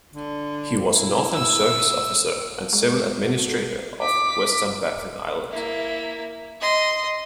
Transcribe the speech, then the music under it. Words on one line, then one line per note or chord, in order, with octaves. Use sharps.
He was a northern service officer and civil administrator of western Baffin Island.
D3
E4
E6
G#3
F#4 A4
D6 B6
A#3 E4
D#5 C6